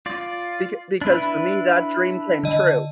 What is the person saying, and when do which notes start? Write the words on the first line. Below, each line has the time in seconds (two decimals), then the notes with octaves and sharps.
beca because for me that dream came true.
0.06 F4 D5
1.01 D4 E4 B4
2.43 D3 D#5